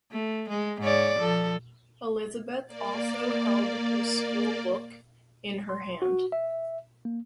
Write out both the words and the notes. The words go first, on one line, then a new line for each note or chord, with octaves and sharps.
Elizabeth also held her school book in her hand.
A3
G#3
G#2 C#5 D5
F3 A4
A#3 D5
C6
F#4
E5
A#3